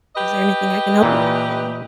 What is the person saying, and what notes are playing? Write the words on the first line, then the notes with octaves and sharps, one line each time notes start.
Is there anything I can help you with, and"
G4 B4 D#5
A#2 E3